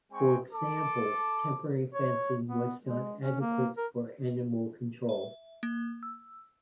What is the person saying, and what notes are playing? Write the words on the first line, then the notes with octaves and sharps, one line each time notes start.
For example, temporary fencing was not adequate for animal control.
G#3 C4 G5 G#5 C#6
A4 D6
C#5
B3
G#3
C#4
A#3
A#4
E5
A#3
E6